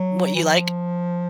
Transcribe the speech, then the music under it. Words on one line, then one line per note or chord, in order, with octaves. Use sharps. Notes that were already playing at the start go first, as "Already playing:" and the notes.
what you like?
Already playing: F#3
E3
F3